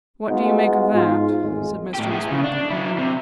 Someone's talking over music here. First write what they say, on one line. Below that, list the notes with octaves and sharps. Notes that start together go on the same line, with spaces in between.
'What do you make of that?' said Mr Inspector.
G#3 B3 D#4 F4 F#4
G#2 F4
G#1 E2 A2 G#3
A2 G4
E4 G#4
C#3
D4
F#3 E4
C3